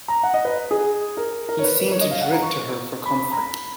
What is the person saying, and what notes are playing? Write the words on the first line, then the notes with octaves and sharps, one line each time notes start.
He seemed to drift to her for comfort.
A#5
F#5
D#5
B4
G#4
A#4
A#4
C#5
B4
B4
C#5
D#5
F5
F#5
A#5
C#6
B5
A#5
B5